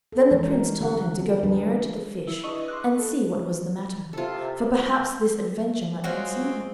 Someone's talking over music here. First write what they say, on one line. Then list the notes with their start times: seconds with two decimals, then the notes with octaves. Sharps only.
Then the Prince told him to go nearer to the fish, and see what was the matter, for perhaps this adventure might concern him.
0.12 A4
0.31 E3 F3 G#3 C4 D#4 A#4
0.48 C#4 F#4 A#4
0.80 D3 G#4 A#4 F#5
1.21 C4
1.43 F3 D4 G#4 A#4 B4
2.27 E4
2.44 D4 G#4 B4 D#5 C#6
2.68 C6 D6 E6 F#6
2.99 A4
4.13 C3 F4 A4
6.04 F#3 G#3 C4 F4 F#4